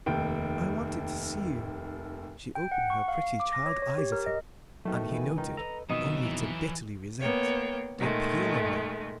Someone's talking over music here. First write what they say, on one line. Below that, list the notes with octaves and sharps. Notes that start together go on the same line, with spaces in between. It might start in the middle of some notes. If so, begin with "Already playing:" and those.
"I wanted to see you." She opened her pretty child-eyes at him, and he noted, only to bitterly resent, the appeal in them.
F1 D#2 G5
G5
F#5
C#6
F5
D6
A#6
C#5
C#5
G4
A#4
D#5
B2 D#3 F#3 A3
A2
E3 B4 G#5
C#2 D#3 D#4
A4 B4 D#5 A#5
F2 B2 D#3 F#3 D#4 E5
E3
A#3 B3 C#5 G5
A#2 D#3 G#3 A3